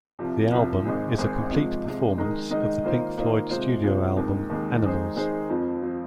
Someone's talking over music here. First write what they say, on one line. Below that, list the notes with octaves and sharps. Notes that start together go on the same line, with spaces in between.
The album is a complete performance of the Pink Floyd studio album "Animals".
C2 C3 F3
C2 C3 F3
G#1 G#2 G#3 C4 G#4
G#1 G#2 G#3 C4 G#4
C3 F3 G#3
C3 F3 G#3
D#3 G#3 D#4 A#4 D#5
D#3 G#3 D#4 A#4 D#5
D#3 A#3 F4 C5 D#5
D#3 A#3 F4 C5 D#5
C3 G#3 F4 C5
C3 G#3 F4 C5
D#2 D#3 G#3
D#2 D#3 G#3
D#3 G#3 D#4 G#4 C5
D#3 G#3 D#4 G#4 C5
F2 F3 C4 F4
F3 C4 F4